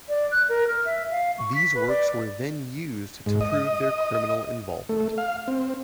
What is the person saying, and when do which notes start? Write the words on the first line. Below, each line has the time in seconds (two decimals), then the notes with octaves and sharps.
These works then were used to prove their criminal involvement.
0.09 D5
0.32 F#6
0.49 A#4
0.68 F6
0.85 E5
1.11 F5
1.38 C#6
1.55 B6
1.75 B4
1.88 D5
3.26 G#2
3.41 D#5
4.89 A3
5.18 F5
5.48 C4